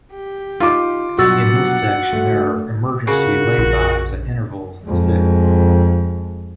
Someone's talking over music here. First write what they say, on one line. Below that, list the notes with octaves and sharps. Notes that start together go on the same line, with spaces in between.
In this section there are emergency lay-bys at intervals instead.
G4
D#4 F4 D6
G2 B2 F#3 F#4 F#5 E6 A6
A3
C#3 F4 F#4 A#4
A#1
F2 G#3